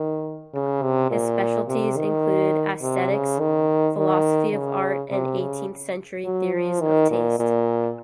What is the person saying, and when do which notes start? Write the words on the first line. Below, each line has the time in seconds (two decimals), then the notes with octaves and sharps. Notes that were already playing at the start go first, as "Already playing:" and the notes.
His specialities include aesthetics, philosophy of art and Eighteenth Century theories of taste.
Already playing: D#3
0.54 C#3
0.83 C3
1.11 A#2
1.68 C3
1.97 D#3
2.82 C3
3.11 C#3
3.40 D#3
3.97 D#3
4.53 C#3
5.11 C3
5.39 C#3
6.25 F#3
6.54 F3
6.81 D#3
7.11 A#2
7.39 A#2